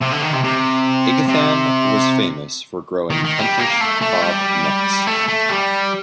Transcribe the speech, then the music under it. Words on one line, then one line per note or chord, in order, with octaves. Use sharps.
Ightham was famous for growing Kentish cob nuts.
C3
D3
D#3
C3
C3
C3
D#3
D#3
G3
A#3
A3
A3
G3
A3
A3
G3